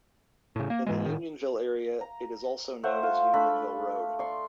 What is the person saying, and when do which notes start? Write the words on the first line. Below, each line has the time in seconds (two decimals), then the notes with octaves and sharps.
In the Unionville area, it is also known as Unionville Road.
0.56 A2 C#3
0.70 A#3
0.87 G#2 E3 G#3
1.05 A2 D#3
2.01 A#5
2.83 A3 C5 E5 F#5
3.03 F4
3.34 A3 D4 A4 B5
4.19 D5 C6 C#6